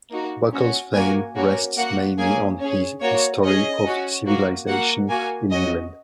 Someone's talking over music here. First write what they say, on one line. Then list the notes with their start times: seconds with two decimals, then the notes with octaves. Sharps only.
Buckle's fame rests mainly on his "History of Civilization in England".
0.11 A#3 D#4 F#4
0.53 C#4 F#4
0.94 A#3 F#4 G#5
1.35 A#3 C#4 F#4
1.76 A#3 F#4 F#5
2.18 A#3 C#4 G#4 G#5
2.60 C#4 G#4 C#5
3.01 A#3 F#4 C#5
3.43 C#4 G#4 D#5
3.84 C#4 F#4
4.26 A#3 F#4
4.67 A#3 F#4 F#5
5.09 A#3 F#4 G#5
5.50 C#4 F#4 D#5